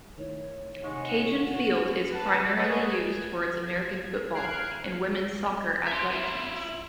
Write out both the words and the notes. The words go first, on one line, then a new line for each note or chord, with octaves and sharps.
Cajun Field is primarily used for its American football and women's soccer athletic teams.
D#3 A3 E4 C#5
C3 G#3 D#4 F#5 C#6
F#4
B4 F#5 A5
G#4 B4 C#5 D#5 F#5
G#6
F6 F#6 G#6 C7 D7
E5 C6
E4 F4